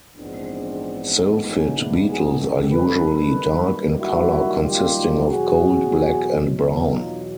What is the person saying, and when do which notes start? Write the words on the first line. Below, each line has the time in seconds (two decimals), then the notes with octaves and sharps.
Silphid beetles are usually dark in color consisting of gold, black and brown.
0.16 A#1 G#2 E3 G#3 B3 C4 D4
1.44 C#4 D#4
1.75 D4 E4
2.07 F#4 G#4
2.39 G4 A4
2.71 F#2 D#3 G3 A#3 A4 B4
3.98 E4 F#4
4.63 F4 G4
5.26 E2 B2 F#3 F#4 G#4
6.86 D#4 F4